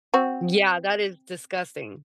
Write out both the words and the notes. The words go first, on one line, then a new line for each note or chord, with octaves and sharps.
Yeah, that is disgusting.
C4 F#4